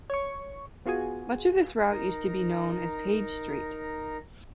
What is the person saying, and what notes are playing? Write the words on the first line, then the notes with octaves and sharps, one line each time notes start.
Much of this route used to be known as Page Street.
C#5 C#6
B3 F4 F#4 G#4 G#5
D#4 A#4 A#5